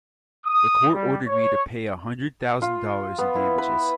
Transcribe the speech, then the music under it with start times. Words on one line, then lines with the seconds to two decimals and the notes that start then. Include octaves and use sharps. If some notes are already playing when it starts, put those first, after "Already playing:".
The court ordered me to pay a hundred thousand dollars in damages.
0.45 D#6
0.94 G3
1.27 C#5
2.62 F4
3.18 B3
3.36 E4
3.58 B4